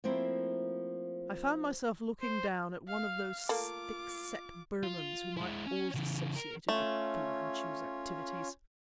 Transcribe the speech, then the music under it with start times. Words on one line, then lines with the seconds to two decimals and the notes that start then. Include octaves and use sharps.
I found myself looking down at one of those thick-set Burmans whom I always associated with Fu-Manchu's activities.
0.04 F3 A3 A#3 C4 E4
2.20 C5
2.88 F5 F6
3.49 A3 A#3 F4 D6
4.83 F4
5.37 G#3 E4
5.66 C#4
5.94 C#3 E3
6.36 A#4
6.69 A3 C#4 F4 C#5